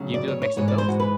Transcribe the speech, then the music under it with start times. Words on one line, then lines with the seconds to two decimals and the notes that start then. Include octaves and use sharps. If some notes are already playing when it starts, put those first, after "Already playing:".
You do a mix of both?
Already playing: D2 C#3 F#3
0.14 D5
0.28 C#5
0.42 C#5
0.57 G#2 E3 G#3 C#5
0.68 D5
0.78 C5
0.88 F#4
1.00 B4